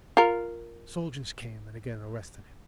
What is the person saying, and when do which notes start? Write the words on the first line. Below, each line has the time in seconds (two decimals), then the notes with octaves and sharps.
Soldiers came and again arrested him.
0.17 F4 A#4